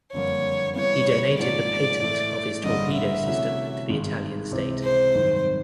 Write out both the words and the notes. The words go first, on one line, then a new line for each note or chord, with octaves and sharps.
He donated the patent of his torpedo system to the Italian State.
F#1 F2 D3 G3 A#3 C#5
C#3 E3 G3 B3 E4 C#5
G#1 G#2 F3 A#3 C#4 D5
A2 E3 A3
A1 G2 D3 G3 A#3 D#5
E5
C3 E3 A3 C#4 F#4
G#1 G2 D#3 G#3
C#2 C3 E3 G#3 C4
C5
G#1 F#2 D#3 G3